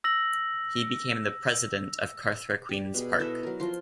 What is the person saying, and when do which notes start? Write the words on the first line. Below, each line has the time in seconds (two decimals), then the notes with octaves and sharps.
He became the President of Cartha Queens Park.
0.04 E6 A#6 F#7
2.69 G4 D5
2.94 B2 G#4
3.19 E4 A4 D#5 E5
3.43 F#3 A#4
3.60 F3 F4 C6